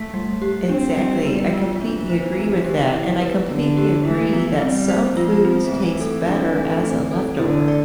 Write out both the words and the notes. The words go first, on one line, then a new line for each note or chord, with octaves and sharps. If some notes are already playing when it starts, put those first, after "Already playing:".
Exactly, I completely agree with that, and I completely agree that some foods taste better as a leftover,
Already playing: A3
G3
G4
C4 D4
G3
G3 B3
F4
E3 D4
C5
B3
G4
E4
B4
D3 B3
G4
E3 E4
B3
G3 C4
C5
F3 F4
C4
E3 A3
A4
D4
A3
C4
A4
D3 E4
D5